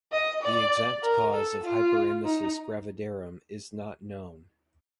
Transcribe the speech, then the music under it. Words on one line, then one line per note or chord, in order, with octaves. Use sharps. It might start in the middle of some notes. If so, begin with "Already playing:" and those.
The exact cause of hyperemesis gravidarum is not known.
D#5
D5
A#4
A4
F4
D#4